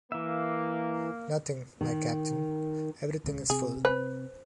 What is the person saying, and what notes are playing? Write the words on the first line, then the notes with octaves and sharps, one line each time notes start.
Nothing, my captain, everything is full.
E3 A#3 E5
D#3
D#1 C#2 C#3
C3 C4 G#4
B4 C5